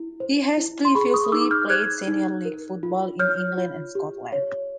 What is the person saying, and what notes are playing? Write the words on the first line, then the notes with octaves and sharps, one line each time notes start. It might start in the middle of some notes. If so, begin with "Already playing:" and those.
He has previously played senior league football in England and Scotland.
Already playing: E4
C5
E4
C6
G#4 B5 C#6
C#6 D#6
D#4 D6 E6
F6 G6
C5 F#6 G#6
D#4
A#4
F4
C#5 F6 G6
F4
G4
C#5